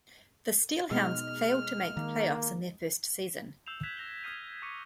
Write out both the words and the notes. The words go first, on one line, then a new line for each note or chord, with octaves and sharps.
The SteelHounds failed to make the playoffs in their first season.
B2 G#3 D#4 F6
D#3 A#3
E6 G6 C7 E7 F7
F#6 G#6 B6 E7 F7
E6 A#6 F7 G7
D#6 F6 G#6 C7 D#7 E7
C#6 D6 G#6 C#7 D#7